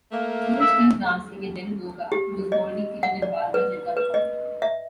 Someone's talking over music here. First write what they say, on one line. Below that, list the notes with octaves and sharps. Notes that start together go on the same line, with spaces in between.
Suraj kills Ramsingh and then Goga, who was holding Kiran and Balraj at gunpoint.
A3 A#3
E5
G4
D#5
F#5
D5
B4
B4
D#5
E5